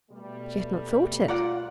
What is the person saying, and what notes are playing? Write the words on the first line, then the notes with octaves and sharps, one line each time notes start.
She had not thought it.
B2 G3 A3
F4 A#4 D5 F#5